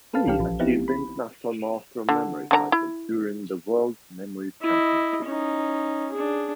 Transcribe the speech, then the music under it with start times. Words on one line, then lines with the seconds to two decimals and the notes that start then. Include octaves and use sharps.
He achieved the International Master of Memory title during the World Memory Championships.
0.14 A4 B4 F5 A5
0.26 C2 E3 C#4 G4 F5
0.38 A#1 F3
0.60 B3 C4 D#4 E4 G4
0.88 B5
2.09 D3
2.51 D3 C#4 A#5
2.72 E4
4.62 E4 D#5
5.25 C#4 D#4
6.12 D4 G#4